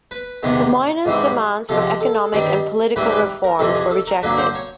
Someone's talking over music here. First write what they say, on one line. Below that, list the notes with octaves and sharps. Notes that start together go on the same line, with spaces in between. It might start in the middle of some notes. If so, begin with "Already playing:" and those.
The miners' demands for economic and political reforms were rejected.
B4
E2 C3 D#3 G#3 B3
G#2 E3 G3 C4
C3 F3 G#3 A4
A4
G2 D#3 G3 C4
G#2 E3 G3 C4 B4
B4
A#4
F2 C3 E3 A4
G#4
A4
A#4
G2 D3 F#3 A#3 B4
C5
C#5